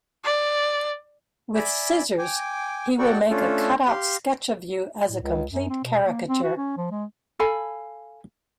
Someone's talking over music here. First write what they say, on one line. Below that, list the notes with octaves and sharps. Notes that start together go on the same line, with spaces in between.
With scissors he will make a cutout sketch of you as a complete caricature.
D5
D5 E5 G#5 B5
G5 G#5 D6
F#4 A4 D5 F#5 G5 C#6
A3 C#4 D4 F4 A4
G4 F5 C6
A2
C#2
F#2
C4
B2
A#3
C4
F#4
C#4
F3
G#3
A4 F5 G#5 B5